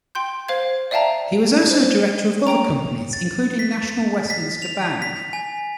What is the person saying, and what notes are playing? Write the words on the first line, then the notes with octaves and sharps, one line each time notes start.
He was also director of other companies including National Westminster Bank.
G5 C6 G6
C5 F5 G#6
D5 E5 F5 G5 A5 A#5
C5
C#5 G5 A#5
A6
B6
B6
F7
B6
G#5